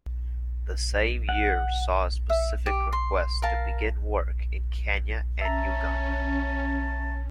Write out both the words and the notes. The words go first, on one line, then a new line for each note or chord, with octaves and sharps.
The same year saw a specific request to begin work in Kenya and Uganda.
F#5
E5
G4
C6
A#4 F5 A5
C#4 E5 A5 A#5